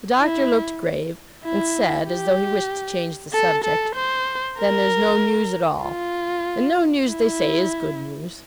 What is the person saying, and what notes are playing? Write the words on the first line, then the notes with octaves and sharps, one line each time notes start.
The Doctor looked grave, and said, as though he wished to change the subject, 'Then there's no news at all; and no news, they say, is good news.'
E4
E4
G4
A4
A4
C5
A#4
F4
E4